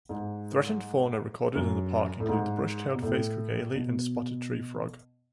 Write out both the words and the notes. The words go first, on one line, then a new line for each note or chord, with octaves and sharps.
Threatened fauna recorded in the park include the Brush-tailed Phascogale and Spotted Tree-Frog.
G#2
F#2
A2
G#2
B2
A2
B2